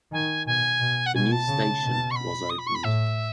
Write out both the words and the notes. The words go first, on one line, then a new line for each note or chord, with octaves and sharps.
The new station was opened.
D#3 G#5
B2 G#5
B2
F#5
B2 G#5
A5
C#3
B2
C#6
B5
D#6
B5
C#6
B5
A2 E5